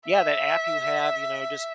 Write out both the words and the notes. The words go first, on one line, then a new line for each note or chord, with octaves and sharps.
yeah, that app you have, you know, just
E5